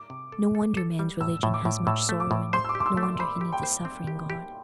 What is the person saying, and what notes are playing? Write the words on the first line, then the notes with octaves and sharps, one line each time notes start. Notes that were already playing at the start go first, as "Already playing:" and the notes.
No wonder man's religion has much sorrow in it: no wonder he needs a suffering God.
Already playing: D6
C3
A4
A4
A4
G3
A2 E6
A2
D6
A2
A2 E6
A3
D6
A2
C5 C6
E6
D6
G4
D6
E6
A3
D6
C5 B5
G4
G5
C5
C4
G4
G4